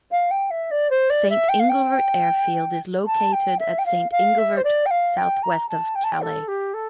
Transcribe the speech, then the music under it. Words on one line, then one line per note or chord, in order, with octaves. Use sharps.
Saint-Inglevert Airfield is located at Saint-Inglevert, south west of Calais.
F5
G5
E5
D5
C5
D5
E5
G5
F5
G5
A5
G5
E5
G5
F5
F5
E5
C5
D5
G5
F5
G5
A#5
A5
G5
A5
G5
A4
G4
A4